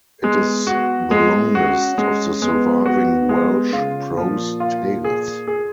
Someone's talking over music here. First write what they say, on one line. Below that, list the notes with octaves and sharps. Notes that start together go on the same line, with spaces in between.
It is the longest of the surviving Welsh prose tales.
G#3 B3
B3 F#4
G#3 B3
C#4 F#4
G#3 C#4
G#3 B3
B3 F#4
G#3
C#3 F4
A#2 F3
F4
G#4
G#4